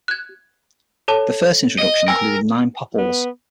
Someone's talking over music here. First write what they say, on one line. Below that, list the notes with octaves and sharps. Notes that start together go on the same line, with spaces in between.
The first introduction included nine Popples.
F#6 G#6
A4 C#5 A5
D#5
A#4 G5 G#5 E6
B3